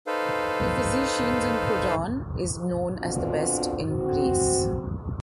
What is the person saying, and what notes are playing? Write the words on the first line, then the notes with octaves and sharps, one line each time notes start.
The physicians in Croton is known as the best in Greece.
D#4 A4 B4 C5 F5
B2 D3 C4 D4 F4
C4 F#4